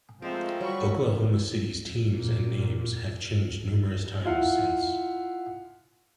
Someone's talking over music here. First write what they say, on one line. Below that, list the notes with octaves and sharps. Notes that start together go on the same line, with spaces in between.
Oklahoma City's teams and names have changed numerous times since.
F3 G#3 A3 C4 A#4
F#3 G3 B5 C#6
A#2
E4 F4 F5 F#5